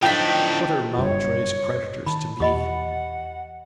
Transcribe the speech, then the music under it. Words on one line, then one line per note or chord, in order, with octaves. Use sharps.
What are Mountjoy's creditors to me?
A2 F3 D4 D#4 G5 B6
F#1 G2 C#5
D#3 A5 B5
E2 G4 D#5 F#5 B5